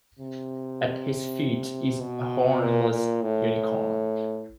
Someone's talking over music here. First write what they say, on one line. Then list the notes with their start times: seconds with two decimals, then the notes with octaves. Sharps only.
At his feet is a hornless unicorn.
0.19 C3
2.01 B2
2.60 A#2
2.91 A#2
3.22 A2